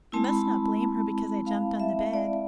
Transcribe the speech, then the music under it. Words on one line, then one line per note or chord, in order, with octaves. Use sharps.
You must not blame her because I jumped on the bed.
G#3 C4 E4 A5
B5
A5
F5
E5
D5